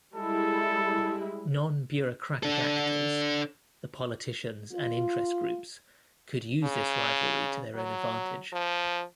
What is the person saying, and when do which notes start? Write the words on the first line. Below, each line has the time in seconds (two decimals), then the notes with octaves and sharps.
Nonbureaucratic actors-the politicians and interest groups-could use this rivalry to their own advantage.
0.16 G3 G#3 E4 A4
2.43 D4 A4
4.72 F4
6.63 C#3
7.75 F#3
8.53 F3